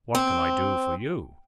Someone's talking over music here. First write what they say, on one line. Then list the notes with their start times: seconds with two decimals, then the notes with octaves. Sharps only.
What can I do for YOU?
0.15 C4